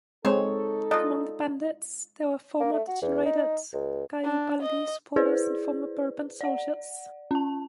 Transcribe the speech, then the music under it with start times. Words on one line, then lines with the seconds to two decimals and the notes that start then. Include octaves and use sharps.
Among the bandits, there were former degenerated Garibaldi supporters and former Bourbon soldiers.
0.25 G#3 C4 D#4 A4 C5 C#5
0.91 D4 F4 D#5
2.60 A#3
2.72 A3
2.88 F#4
3.02 E2
3.25 D#4
3.73 C#2
4.24 D4
4.62 D#5
5.16 E4 G#4 B4 C5 D5
6.41 D5 F#5
7.31 C#4 A5